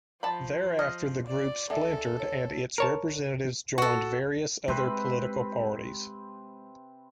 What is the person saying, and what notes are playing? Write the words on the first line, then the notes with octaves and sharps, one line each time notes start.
Thereafter the group splintered and its representatives joined various other political parties.
F3 A5 B5
D#5 F6
D5
D2 G#3 D4 A4 E5
C#5
A#4 C#5 A5
F#4 A4
C3 G#3 C4 B4